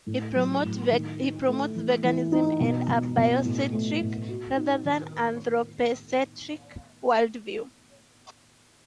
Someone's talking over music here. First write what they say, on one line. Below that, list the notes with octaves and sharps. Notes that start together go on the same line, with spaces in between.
He promotes veganism, and a biocentric, rather than anthropocentric, worldview.
A2
F#3
A2
D#3
D#4
A3
E3
E3
D#4
B2
B2
B2
A2
A3
A2
F#4
D#4
D#3